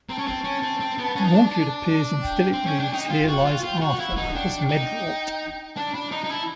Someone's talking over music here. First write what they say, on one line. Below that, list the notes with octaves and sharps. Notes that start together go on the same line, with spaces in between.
Mordred appears in Philip Reeve's Here Lies Arthur, as Medrawt.
C4 A5 A#5
C#4
C4
C#4
C4
C4
B3
C#4
D#4
D4
G5
C4
C#4
D4
D#4
F4
F#4
F4
F4 G5
F#4 F#5
E4 F5
D#4 F#5
D4 G5
D#4
D4 A5
D4 B5
D#4 A#5
D#4
E4 A5